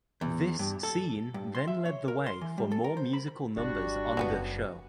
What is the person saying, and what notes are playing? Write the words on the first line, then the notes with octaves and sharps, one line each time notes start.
This scene then led the way for more musical numbers on the show.
E2
G2
A4
G2
C6
E5
C#5
A#4
C6
E3
G3
A4
A#4
C5
B5
G#1 G3 D4 F#4
F#1 F#3 G#3 B3